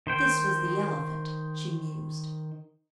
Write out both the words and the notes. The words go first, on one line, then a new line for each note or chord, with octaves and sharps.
"This was the elephant," she mused.
D#3 C5 G5